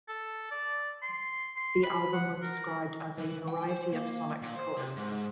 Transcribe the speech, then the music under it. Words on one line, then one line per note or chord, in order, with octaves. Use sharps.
The album was described as a "variety of sonic colors".
A4
D5
C6
C6
B5
F#5
A#4
E3
G5
C5
A#3
A#2
C5
C3
G#2